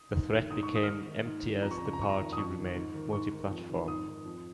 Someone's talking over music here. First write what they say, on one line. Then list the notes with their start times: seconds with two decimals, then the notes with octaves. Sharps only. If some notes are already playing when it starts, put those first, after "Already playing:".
The threat became empty as The Party remained multi-platform.
Already playing: D#6
0.13 G#2
0.32 D#3
0.50 G#2 D#6
0.63 C#6
0.69 D#3
0.75 D#6
0.83 F6
0.88 G#2 D#6
1.06 D#3
1.25 G#2
1.44 D#3
1.62 F2 A#5
1.71 C#6
1.78 A#5
1.82 C#3 C#6
1.93 A#5
2.00 F2 C#6
2.09 A#5
2.19 D#3
2.33 D#6
2.38 F2 C#6
2.57 D#3
2.75 G#2
2.94 D#3
3.13 G#2 C#6
3.31 D#3
3.50 F2
3.69 D#3
3.88 G#2 D#6
4.07 D#3
4.25 F2